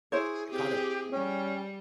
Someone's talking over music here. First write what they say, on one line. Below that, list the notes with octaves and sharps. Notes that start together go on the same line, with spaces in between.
I, kind of
E4 G#4 C5 C#5
C4 G4 G#4
G3 C#4 G5